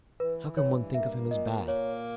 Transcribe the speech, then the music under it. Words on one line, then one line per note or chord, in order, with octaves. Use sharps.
How can one think of him as bad?
E3 B4
G2 C#5
A#3 E5
A#2 D#5
A#3 C#5